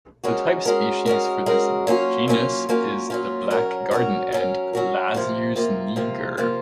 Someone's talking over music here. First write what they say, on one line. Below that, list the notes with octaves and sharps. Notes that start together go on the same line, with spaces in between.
The type species for this genus is the black garden ant, "Lasius niger".
G#3 C#4 F#4 A#4
G#3 C#4 F#4 A#4
G#3 C#4 F#4 A#4
G#3 C#4 F#4 A#4
F#3 A#3 C#4 F4
F#3 A#3 C#4 F4
F#3 A#3 C#4 F4
F#3 A#3 C#4 F4
F#3 C#4 F#4 A#4
F#3 C#4 F#4 A#4
F#3 C#4 F#4 A#4
F#3 C#4 F#4 A#4
C3 F3 A#3 F4
C3 F3 A#3 F4
C3 F3 A#3 F4
C3 F3 A#3 F4